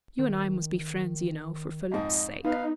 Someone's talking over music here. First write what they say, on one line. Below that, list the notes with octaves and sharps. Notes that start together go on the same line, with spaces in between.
"You and I must be friends, you know, for Philip's sake."
D#3
F2 G#2 D#5
B3 D#4 B4 F5